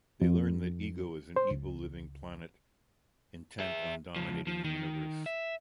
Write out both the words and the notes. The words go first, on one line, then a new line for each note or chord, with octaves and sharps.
They learn that Ego is an evil living planet intent on dominating the universe.
F2
C5
C#2
G#4 E5
C#2 F3
F3
D#3
E5